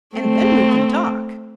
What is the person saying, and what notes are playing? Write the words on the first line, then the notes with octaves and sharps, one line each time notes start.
And then we can talk.
A3 C4